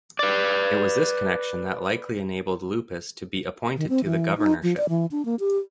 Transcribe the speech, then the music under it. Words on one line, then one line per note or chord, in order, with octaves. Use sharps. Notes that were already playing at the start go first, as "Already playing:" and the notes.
It was this connection that likely enabled Lupus to be appointed to the governorship.
B4 D5
D#3
C4
E3
D#4
F3
D5
E3
D4
A#3
G4